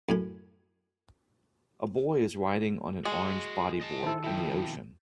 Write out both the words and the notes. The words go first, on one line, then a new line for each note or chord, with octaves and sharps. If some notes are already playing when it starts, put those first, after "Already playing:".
A boy is riding on an orange bodyboard in the ocean.
F#2 A2 G#5
G#3 F#4 G#4
D#5 A5
D#3 E4 A4 C5
F2 B2 E4 G5